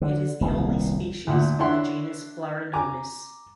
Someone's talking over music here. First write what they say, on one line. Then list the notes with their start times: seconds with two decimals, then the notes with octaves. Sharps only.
It is the only species in the genus Blarinomys.
0.02 D3
0.41 D#1 C2 B2
1.27 D2 A#2 F#5
1.59 D4 E4 C#5 E5 F#5 C6
2.73 G#5 A#5 D6